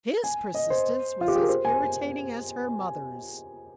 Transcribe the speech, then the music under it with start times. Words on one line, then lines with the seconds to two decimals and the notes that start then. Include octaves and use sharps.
His persistence was as irritating as her mother's.
0.24 G#5
0.54 D#5
0.70 C5
1.21 F4
1.28 G4
1.35 G#4
1.42 A#4
1.49 C5
1.65 G#5